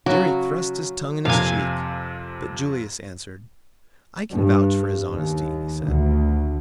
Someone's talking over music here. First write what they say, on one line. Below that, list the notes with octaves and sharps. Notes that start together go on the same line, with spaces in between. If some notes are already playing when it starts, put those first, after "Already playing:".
Jerry thrust his tongue in his cheek, but Julius answered, "I can vouch for his honesty," he said.
C#3 F#3
F2 C3 A#3 F5 G#5
G2
D#2
D2